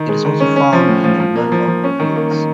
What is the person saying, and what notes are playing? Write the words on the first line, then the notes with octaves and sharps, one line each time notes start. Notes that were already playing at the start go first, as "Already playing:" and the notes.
It is also found in the middle of the fields.
Already playing: D#3
G#3
D#3
C#4
C#4
F3
A2
F3
F3
A#3
F3
F3
C#4
D#3
A#3
D#3